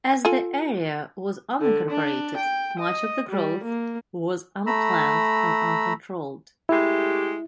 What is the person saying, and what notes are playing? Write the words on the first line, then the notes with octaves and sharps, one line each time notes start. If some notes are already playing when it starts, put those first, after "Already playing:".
As the area was unincorporated much of the growth was unplanned and uncontrolled.
F4 A4 G#5
D3
D4
G5
D#5
G3
A#3
A3 A#5 B5 E6
G#3 A3 E4 G4